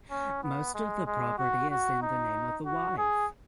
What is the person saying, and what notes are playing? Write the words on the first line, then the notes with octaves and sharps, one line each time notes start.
Most of the property is in the name of the wife.
C#4
B3
G#3
G#3
F#4
F#4
D#4
F#4
G#4